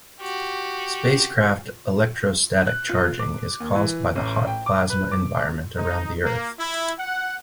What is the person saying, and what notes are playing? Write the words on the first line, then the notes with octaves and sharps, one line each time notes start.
Spacecraft electrostatic charging is caused by the hot plasma environment around the Earth.
F#4 G4
F#6
F4
D6
D#2
E3
A1
G5
D6
B4
D6
D#4
A#3
E4
F#5